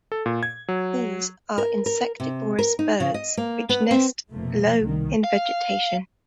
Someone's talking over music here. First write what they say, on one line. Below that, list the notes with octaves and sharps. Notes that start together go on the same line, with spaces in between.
These are insectivorous birds which nest low in vegetation.
A4
A#2
G#6
F#3
A#4
A#4
C3
A#4
D#4
C#3
D#5
A#3
B3
C4
F1 B2 F3 A3 A#3
C2 D#3
F5